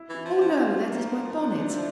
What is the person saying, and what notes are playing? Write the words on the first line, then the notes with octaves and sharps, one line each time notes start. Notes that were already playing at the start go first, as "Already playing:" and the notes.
'Oh no! that is my bonnet.
Already playing: E4
E3
E4
F3
F3 D4
F3 F4
A#3
D4
D4
E4